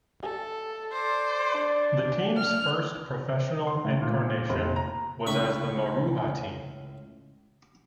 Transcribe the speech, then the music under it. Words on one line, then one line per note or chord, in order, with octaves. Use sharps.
The team's first professional incarnation was as the Maruha Team.
A4
C5 D5
D4
F6
C6
A2
A#2
F1
A#5
C#2 A2 B5 C#6